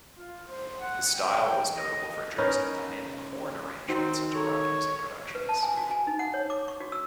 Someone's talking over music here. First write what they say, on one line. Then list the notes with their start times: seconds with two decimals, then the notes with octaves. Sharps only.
His style was notable for introducing dynamic horn arrangements into rock music productions.
0.16 F4
0.49 C5
0.79 F#5
1.14 G5
1.75 D#5
2.38 C#4 D#4 A#4 B4
3.89 D#3 C4 D#4 F#4 C5
4.35 A4 C#5 A#5
5.35 B4
5.49 A5
5.63 G#5
5.77 F#4
5.91 G#5
6.07 D#4
6.19 F#5
6.34 C#5
6.50 D6
6.68 C#6
6.80 F#4
6.92 E6